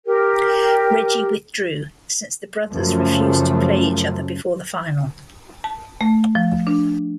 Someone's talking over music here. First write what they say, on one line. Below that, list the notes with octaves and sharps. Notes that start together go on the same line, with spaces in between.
Reggie withdrew, since the brothers refused to play each other before the final.
G4 A#4
F#2 C#3 F3 A3
A5
A3
F3
D4